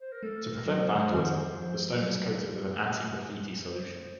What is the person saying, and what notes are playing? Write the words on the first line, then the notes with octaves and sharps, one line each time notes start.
To prevent vandalism, the stone is coated with an anti-graffiti solution.
C5
A#4
A3 A4
A#4
F#3
C5
D#3
F3
F#3
A3
C5